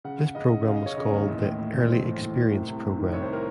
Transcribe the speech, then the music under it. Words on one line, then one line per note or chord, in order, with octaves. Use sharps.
This program was called the "Early Experience Program".
C#3 F#5
C#3
C#3 D#5
C#3
C#3 F5
D#5
C#3 C#5
C#3 D#5
D#2
A1
A2
A2
A1
A1 C5
A1
A1
A2
C2
C3
C2
D#3
C2 C#5
C5
A#4